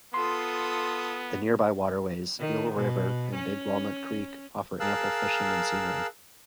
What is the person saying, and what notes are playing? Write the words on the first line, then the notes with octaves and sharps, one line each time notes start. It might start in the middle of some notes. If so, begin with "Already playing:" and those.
The nearby waterways Eel River and Big Walnut Creek offer ample fishing and scenery.
B3 F4 A4 C6 D#6
D#3
B2
C#4
G#4 A#4 F5 A5 E6 F#6